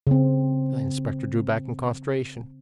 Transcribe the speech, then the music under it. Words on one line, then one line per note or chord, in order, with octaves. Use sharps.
The inspector drew back in consternation.
C#3 C4